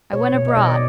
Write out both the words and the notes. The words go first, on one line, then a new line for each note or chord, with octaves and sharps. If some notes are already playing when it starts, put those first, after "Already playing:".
I went abroad.
B2 C#5
B2
D#5
B2 D5